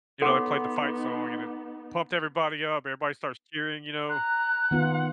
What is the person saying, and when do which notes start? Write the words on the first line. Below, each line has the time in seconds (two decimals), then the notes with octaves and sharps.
you know, they played the fight song, and it pumped everybody up. Everybody starts cheering, you know.
0.22 B3 D#4 A4 C#5 F#5 C6 D6
4.10 A#5 F#6
4.71 D#3 B3 F4 F#5